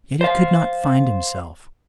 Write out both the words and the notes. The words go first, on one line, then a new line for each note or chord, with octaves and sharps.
Yet he could not find himself.
C5 F5